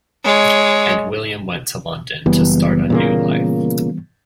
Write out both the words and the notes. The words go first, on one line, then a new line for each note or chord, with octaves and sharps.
And William went to London, to start a new life.
G#3 C#5
F#1 E3 G3 B3
A#2 C#3 A#3